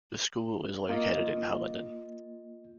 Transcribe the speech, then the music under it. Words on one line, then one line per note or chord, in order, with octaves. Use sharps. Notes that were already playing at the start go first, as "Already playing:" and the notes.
The school is located in Haledon.
A#3 F4 D#5